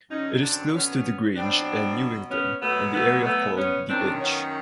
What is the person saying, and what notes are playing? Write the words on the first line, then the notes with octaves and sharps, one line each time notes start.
It is close to The Grange and Newington and the area called the Inch.
F#2 D3 F#3 C#4 D#4
C4 D4
B3 C#4
B2 F#3 C4 D4
B3 C#4
B2 F#3 A3 B3
A3 B3
A3 B3
B3 C#4
F#2 D#3 F#3 C4 D4
B3 C#4